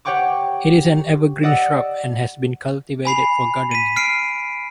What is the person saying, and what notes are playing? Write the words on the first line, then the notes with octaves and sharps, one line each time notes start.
It is an evergreen shrub, and has been cultivated for gardening.
G4 C#5 F#5 G5 C#6 D6
D5 D#5 F#5 E6
G#5 B5 C7 F7
B6 D#7
F6 C7 D7